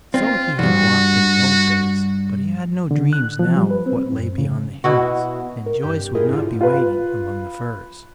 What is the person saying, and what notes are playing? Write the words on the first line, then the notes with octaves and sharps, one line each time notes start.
So he had walked in the old days, but he had no dreams now of what lay beyond the hills, and Joyce would not be waiting among the firs.
C4 F4
E2 G2 F#4
D3
F#6
F3
G3
B4
C4
F#2
C#3
B2 E4 F#4
A#4
G2 C3 G4 G6
G4
E4 F4 G#4 A#4 D#5
G#2 D3 F4
F4 B4